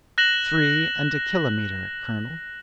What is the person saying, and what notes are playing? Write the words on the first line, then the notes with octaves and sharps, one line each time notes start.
"Three and a kilometre, colonel."
F#6 A#6 E7 F#7